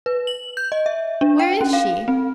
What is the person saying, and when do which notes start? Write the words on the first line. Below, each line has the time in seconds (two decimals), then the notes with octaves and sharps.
Where is she?...
0.06 B4
0.27 F#7
0.57 G6
0.72 D#5
0.86 E5
1.21 D4
1.39 G5
1.61 C#4
1.73 F5
2.08 C4